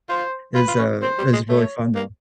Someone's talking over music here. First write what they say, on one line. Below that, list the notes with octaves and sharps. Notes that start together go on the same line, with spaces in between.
is, uh, is really fun though.
F4 C5
F4 B4
F4
C#4
C4 C5
G3
G#3
A3 C#5
A#3